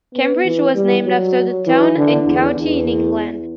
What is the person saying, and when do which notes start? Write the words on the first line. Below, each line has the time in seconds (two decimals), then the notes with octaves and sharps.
Cambridge was named after the town and county in England.
0.14 B3
0.45 E3
0.75 G3
1.05 F#3
1.67 E3
1.97 D3
2.27 E2
2.57 E2